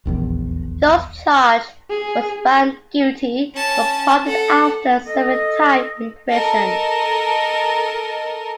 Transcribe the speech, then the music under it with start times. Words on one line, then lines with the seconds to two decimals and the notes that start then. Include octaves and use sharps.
Those charged were found guilty, but pardoned after serving time in prison.
0.06 D#1 A#1 E2
1.90 G#4
3.54 C#4 A5
4.26 A4 F#5
5.06 A4 D#5
6.30 A4 A#4 D#5 A5